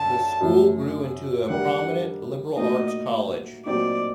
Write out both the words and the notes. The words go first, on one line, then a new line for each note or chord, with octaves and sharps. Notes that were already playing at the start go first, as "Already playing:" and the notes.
The school grew into a prominent liberal arts college.
Already playing: F#2 D3 A5
F#2 F#3 A3
D#3 G3 D4 G4 A#4 F#5
A#2 A3 D#4 F#4 D#5
A#2 F#3 C4 D#4 D5